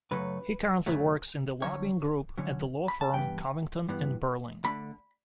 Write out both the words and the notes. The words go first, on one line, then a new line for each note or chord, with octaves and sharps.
He currently works in the lobbying group at the law firm Covington and Burling.
F#2 C#3 F#3 A3 B4
F#2 C#3 F#3 A3
D3 F#3 C#4 C#5
D3 F#3 C#4
B5
A5
G2 E3 B3 G5
G2 E3 B3
D3 A3 D4 B5